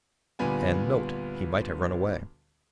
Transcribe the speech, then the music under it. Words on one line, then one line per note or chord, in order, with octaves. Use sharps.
And, note, he might have run away.
D2 A#2 G3 B3 G#5